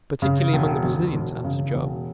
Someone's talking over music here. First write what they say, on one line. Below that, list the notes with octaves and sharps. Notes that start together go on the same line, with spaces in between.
"Particularly among the Brazilians," answered Joam.
C#3
E1
D2
E1
C#3
E1